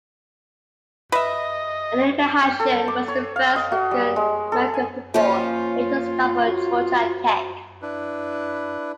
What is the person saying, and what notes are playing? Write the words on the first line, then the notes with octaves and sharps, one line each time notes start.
Eddie McAshan was the first African American football player to start for Georgia Tech.
B4 D#5 E5
G5
A4
D6
C#5
F5
D#5
F#4
G3
G#3
A4
G#5
F3 A#3 C#4 F4
F#4
D4 E4 B4